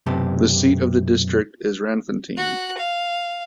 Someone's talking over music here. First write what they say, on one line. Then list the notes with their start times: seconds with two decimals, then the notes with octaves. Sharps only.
The seat of the district is Randfontein.
0.06 B1 F#2 C3 B3 G4 A5
2.37 F#4 F#6
2.78 F5